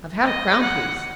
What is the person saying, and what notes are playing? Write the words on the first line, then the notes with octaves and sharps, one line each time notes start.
I've had a crown-piece.
D#5
F#5